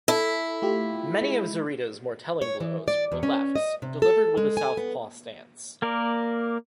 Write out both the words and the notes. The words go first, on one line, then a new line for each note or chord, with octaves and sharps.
Many of Zurita's more telling blows were lefts delivered with a southpaw stance.
E4 A4
A3 F4 G4
G#3
C#5
E3
D5
E2
C#4
D#5
C3
A4
G#3
G#5
B3
A#3 A#4 D5